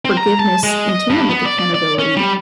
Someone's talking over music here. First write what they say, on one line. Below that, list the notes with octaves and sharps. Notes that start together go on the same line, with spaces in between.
forgiveness in tandem with accountability,
C4
A#5
A5
G#3
D#5
G2
B3
D5
D5
D5
C#4
G3